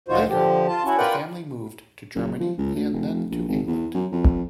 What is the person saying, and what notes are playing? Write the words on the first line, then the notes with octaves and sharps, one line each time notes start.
Later, the family moved to Germany and then to England.
D2 A#2 D#4 F4 F#4 C5
D3 F3 G4
F4 A5
C#4 E4 F#4
F4 A#4 B4 D5 F#5 G5
F#1
F3
C#2
D2
F1
A#1
G#1
E2
F#2
F2